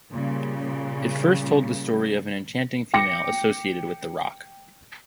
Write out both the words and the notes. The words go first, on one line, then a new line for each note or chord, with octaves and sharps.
It first told the story of an enchanting female associated with the rock.
A#2 C#3 G3
G5 D6 A#6 C#7